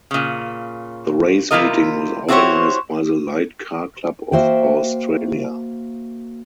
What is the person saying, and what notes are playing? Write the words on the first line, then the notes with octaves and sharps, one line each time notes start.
The race meeting was organised by the Light Car Club of Australia.
A#2 C#3
C3 A3 E4 F4 A#4 D#5
C4 E4 F#4 G4 C5 C#5
A#3 F#4 C5 E5 G5